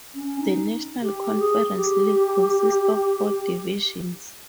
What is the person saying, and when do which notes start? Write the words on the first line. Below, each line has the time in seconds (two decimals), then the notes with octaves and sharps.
The National Conference League consists of four divisions.
0.15 C#4
0.40 D#4
1.02 G4
1.39 G#4
1.77 G4